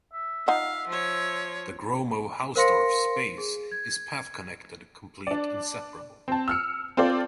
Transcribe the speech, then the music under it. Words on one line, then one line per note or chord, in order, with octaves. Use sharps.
The Gromov-Hausdorff space is path-connected, complete, and separable.
E5
D#4 F4 F5 F#5
F3 C#5
A#4 C5 F5 C6 A#6 C#7
G#4
G#6
D4 D5
C4 A5
E6 F6 C#7
C4 F4 A4 C5 D5